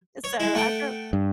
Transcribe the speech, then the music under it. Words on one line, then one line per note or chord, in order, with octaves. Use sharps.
And so, after
C#5
G#3 E4
A3 F#5 G5
G2